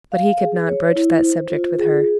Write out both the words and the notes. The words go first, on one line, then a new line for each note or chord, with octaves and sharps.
But he could not broach that subject with her.
F5
G#4
C#5
E4
C5
F4
G#4